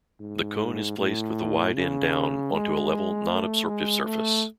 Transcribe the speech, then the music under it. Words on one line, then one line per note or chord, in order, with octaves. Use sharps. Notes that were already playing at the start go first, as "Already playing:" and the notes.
The cone is placed with the wide end down onto a level, non-absorptive surface.
G#2
A2
C#3
G#3
A3
G#3
A3